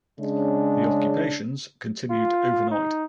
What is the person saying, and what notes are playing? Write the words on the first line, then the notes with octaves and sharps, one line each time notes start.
The occupations continued overnight.
C#3 G#3 C#4 D4
F4
D#4